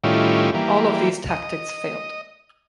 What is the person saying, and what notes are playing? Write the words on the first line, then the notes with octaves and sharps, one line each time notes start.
All of these tactics failed.
A2 D#3 G3 C#4 E4 F4
E3 G3 A#3
D#5